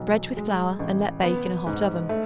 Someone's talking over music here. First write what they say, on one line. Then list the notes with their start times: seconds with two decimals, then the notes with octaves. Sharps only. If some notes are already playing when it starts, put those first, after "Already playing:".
Dredge with flour and let bake in a hot oven.
Already playing: E1 B1 F#3
0.37 G#3
0.79 A1
1.23 B3
1.66 G#2
2.09 A3